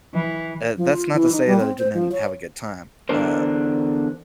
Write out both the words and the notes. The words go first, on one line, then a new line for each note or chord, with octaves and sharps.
uh, that's not to say that I didn't have a good time, um,
E3
F3
F4
E3
D#4
G3
C4
C5
F3
C#5
E2 D3 D4 A#4 C5